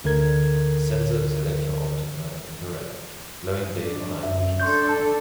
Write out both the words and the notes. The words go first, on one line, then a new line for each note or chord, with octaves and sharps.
The sensor is electro-optical and infrared, allowing day or night missions.
D2 D3 A#4 G#6
D4
F#2 E5
D4 A4 C6 C#6 G6
A5